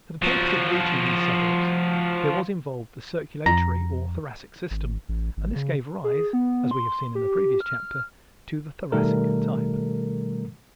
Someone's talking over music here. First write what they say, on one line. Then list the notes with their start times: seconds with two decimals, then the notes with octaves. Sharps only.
For the purpose of reaching these suburbs there was involved the circulatory or Thoracic system, and this gave rise, as we have seen in the previous chapter, to the Thoracic type.
0.22 F3 F#4
3.46 F2 A#5
4.71 G#1
5.09 A1
5.37 G#1
5.56 C#3
6.04 G#4
6.33 B3
6.71 C6
7.15 G4
7.61 F6
8.92 B2 D#3 G3 A3 A4 A#4